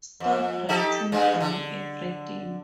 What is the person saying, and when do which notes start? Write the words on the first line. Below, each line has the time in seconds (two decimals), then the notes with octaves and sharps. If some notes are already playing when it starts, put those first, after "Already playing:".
Stop writing down everything!
0.20 F2
0.69 D#4 G4 A4
1.12 G2 G#3
1.40 D3